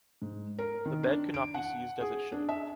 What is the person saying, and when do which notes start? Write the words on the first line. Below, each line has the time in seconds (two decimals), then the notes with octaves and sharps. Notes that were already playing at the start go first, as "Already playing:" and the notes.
The bed could not be seized as it should.
0.22 G#2
0.59 A#4
0.86 D#3
1.03 D4
1.34 D7
1.54 F#5
2.01 G#4
2.32 D4
2.49 E5